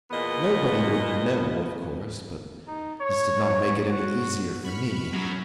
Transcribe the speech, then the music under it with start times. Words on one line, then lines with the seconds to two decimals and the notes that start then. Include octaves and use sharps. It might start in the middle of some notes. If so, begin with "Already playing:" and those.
Nobody would know, of course, but this did not make it any easier for me.
0.11 E2 A#2 B3 D#5
2.68 D#4
3.00 C#5
3.43 C#5
3.90 F#4
4.65 B5 C#6 F6
5.14 F#2 F#3